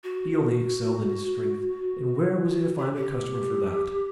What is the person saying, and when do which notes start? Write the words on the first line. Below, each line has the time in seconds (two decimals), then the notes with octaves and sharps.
He only excelled in his strength, and where was he to find a customer for that?
0.04 F#4
2.77 G4
2.96 G4